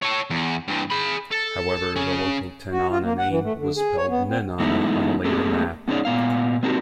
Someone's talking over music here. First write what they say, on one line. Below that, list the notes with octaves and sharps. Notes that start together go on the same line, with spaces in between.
However, the local Tanana name was spelled "Nenana" on a later map.
A4 C#5
E2
G2 E3
G#4 B5
A4
C#4 G#4
F#4
F4
A#3
F#5
E3
A3
D3
G#4
C#5
B3
C4
E3 G#3 A3 B3 D#4 E4
A3 A#3 C4 G4 G#4
B3 C#4 D#4 G#4 C#5 D5
A#2 B3 F5
A#3 C4 D4 D#4 F#4 G4